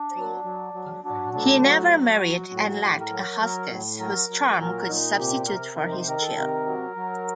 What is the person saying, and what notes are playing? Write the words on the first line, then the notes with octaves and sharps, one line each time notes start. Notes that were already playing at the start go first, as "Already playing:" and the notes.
He never married and lacked a hostess whose charm could substitute for his chill.
Already playing: D4
F#3
F#3
F#3
F#3 D4
A2 D4
F#3 F#4
F#3
F#3
A2
A2 G4
A#4
F#3
A#4
F#3 A#4
A2
F#3 A#4
F#3
A#2 A#4
A#2 D#4
C3 G4
C3 A#4
D#3 A#4
C5
D#3 A#4
A4
C3 A#4
F#3
F#3